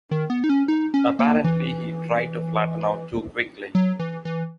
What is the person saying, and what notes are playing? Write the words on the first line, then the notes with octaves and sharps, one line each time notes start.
Apparently he tried to flatten out too quickly.
D#3
B3
D#4
C#4
D#4
C#4
A#3
E3
F#3
E3
E3